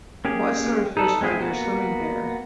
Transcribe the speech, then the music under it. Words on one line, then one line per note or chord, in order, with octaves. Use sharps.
What sort of fish are there swimming there?
A#3 C#4 G4 G#4
D#4 A4 B4
G#3 C4 E4 G#4
A#3 B3 F#4